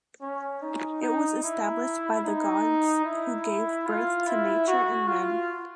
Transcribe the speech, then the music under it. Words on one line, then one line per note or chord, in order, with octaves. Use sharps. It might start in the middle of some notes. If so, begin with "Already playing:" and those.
It was established by the gods who gave birth to nature and men.
C#4
D#4
D#4
E4
D#4
E4
F4
E4
F#4
F4